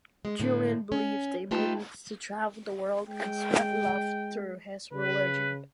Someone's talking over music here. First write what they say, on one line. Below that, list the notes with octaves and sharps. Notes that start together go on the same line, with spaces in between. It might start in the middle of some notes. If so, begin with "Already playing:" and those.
Julian believes the importance to travel the world and spread love through his religion.
G#3
A2 D3
C#4
A3 D#4 F4 G4 B4 A5
G#3 G5
C#3 B4